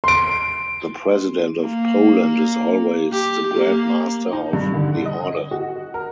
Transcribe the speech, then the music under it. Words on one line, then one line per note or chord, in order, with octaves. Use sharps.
The President of Poland is always the Grand Master of the Order.
C6 D7
A#3
G4
A#3
D#4
G2
D3
D#5
F#4
A#4